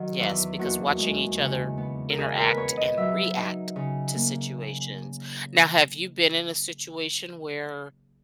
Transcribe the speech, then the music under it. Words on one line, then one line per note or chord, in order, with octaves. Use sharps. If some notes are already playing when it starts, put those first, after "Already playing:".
yes, because watching each other interact and react to situations. Now have you been in a situation where,
Already playing: D#3 F#3
E2
D#2 F#4
G#3
C#3
B3
A#4
G#2 G#4
A#4
B4
B3 C#5
D#5
F#3 E5
D#4
C#3
A#3